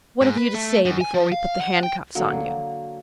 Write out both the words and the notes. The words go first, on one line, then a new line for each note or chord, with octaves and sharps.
"What have you to say before we put the handcuffs on you?"
G#2
B4
A3
F#2
G#5
F3
F5
F#5
G5
D3 F#3 A#3